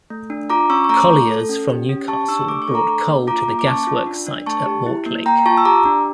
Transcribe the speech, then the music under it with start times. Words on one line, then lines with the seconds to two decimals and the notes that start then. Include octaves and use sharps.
Colliers from Newcastle brought coal to the gasworks site at Mortlake.
0.10 A3
0.30 D4
0.50 F4 A#5 D6
0.69 C#4 C#6 E6
0.84 C#6
0.89 A3 A#5 D6
1.09 A3
1.29 A4
1.49 C#4
1.69 G4
1.89 C#4
2.08 G4 A5 C#6
2.28 D4 C#6 E6
2.48 A3 D6
2.62 C#6
2.68 A4
2.74 A#5 D6
2.88 D4
3.08 A#3
3.27 F4 A#5 D6
3.48 A#3
3.59 D6
3.67 C#4 A5 C#6
3.87 F4
4.07 D4
4.27 D4
4.46 A3 A5 C#6
4.66 G4
4.86 E4
5.06 A#3
5.26 A#3 G5 A#5
5.46 F4 A5 C#6
5.57 E6
5.65 G4 A#5 D6
5.86 D4